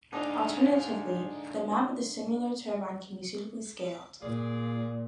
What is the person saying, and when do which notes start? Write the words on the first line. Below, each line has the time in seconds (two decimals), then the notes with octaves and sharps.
Alternatively, the map of a similar turbine can be suitably scaled.
0.13 G#2 D3 D4 D#4 F4 D#5 A5
4.21 A#2 F4 G#4 D5